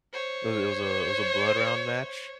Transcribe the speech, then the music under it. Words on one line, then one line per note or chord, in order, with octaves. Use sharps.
it was it was a it was a blood round match
C5 C#5